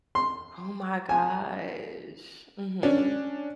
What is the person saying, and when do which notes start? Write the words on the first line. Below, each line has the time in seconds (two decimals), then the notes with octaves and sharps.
Oh my gosh. Mhm.
0.15 C6
1.09 G#5
2.83 C#4 D4